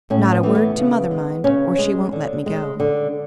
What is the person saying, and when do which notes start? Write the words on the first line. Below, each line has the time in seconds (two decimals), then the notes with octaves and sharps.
Not a word to mother, mind, or she won't let me go.
0.10 A2 C#4
0.33 B3
0.43 E3 A3
0.55 B3
0.78 C#3
1.11 G#3
1.44 C#3 C#4
1.79 G#3
2.12 D3
2.46 G#3
2.80 D3